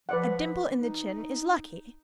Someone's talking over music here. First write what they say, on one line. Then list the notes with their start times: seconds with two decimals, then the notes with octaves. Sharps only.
A dimple in the chin is lucky.
0.09 F3 B4 D5 F#5
0.77 D#4